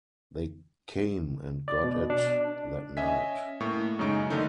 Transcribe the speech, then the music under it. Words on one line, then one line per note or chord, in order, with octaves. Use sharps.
They came and got it that night.
D5
B2
D4
C#4 D#5 E5 G#5 B6
A2 A#3 C#6
F#2 C#3 G#3 D#4 C#6 D7
D3 D#3 A3 D#4